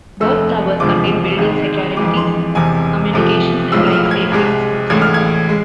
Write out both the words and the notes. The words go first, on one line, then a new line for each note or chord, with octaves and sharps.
Both towers contain building security, communications, and life-safety systems.
F1 F2 D3 A3 E6
E1 D2 C3 F3 G#3 D6
G#1 G#2 G#3
F2 E3 G#3 D6
D6
C6
E1 E2 C3 G#5
C2 C3 F3 A3
B1 A2 F3 G#3 E6
E6
F6
G#6
C2 C3 G#3
A1 A2 G#3 G#6
F6
G#6
G#3